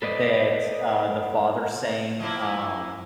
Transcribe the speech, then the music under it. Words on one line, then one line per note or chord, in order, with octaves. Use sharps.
that, uh, the father sang, um,
A4 B4 C5 D5 D#5
F3 A#3 E4